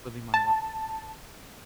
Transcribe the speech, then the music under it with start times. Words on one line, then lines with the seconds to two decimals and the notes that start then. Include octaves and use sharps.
living my li"
0.34 A5